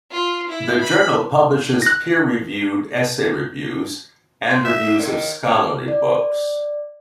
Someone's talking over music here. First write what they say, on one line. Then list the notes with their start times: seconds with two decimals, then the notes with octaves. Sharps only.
The journal publishes peer-reviewed essay reviews and reviews of scholarly books.
0.11 F4
0.49 E4
0.81 B5
1.82 F#6 A#6
4.49 C4
4.65 E5
4.99 D#3
5.45 C#4
5.88 D5